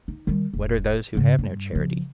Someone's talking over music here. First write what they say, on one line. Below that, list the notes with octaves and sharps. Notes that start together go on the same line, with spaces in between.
What are those who have no charity?
D#4
D#3 G3
E1
G#2 C#3
G2
C#3 F3